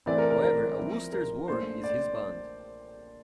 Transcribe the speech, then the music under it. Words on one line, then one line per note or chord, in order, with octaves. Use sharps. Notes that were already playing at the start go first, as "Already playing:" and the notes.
However, a Wooster's word is his bond.
E3 A3 C4 D5
A#4
A#4
A#4
F3 C4 E4
A#4
A#2 A3 D4 C5
D5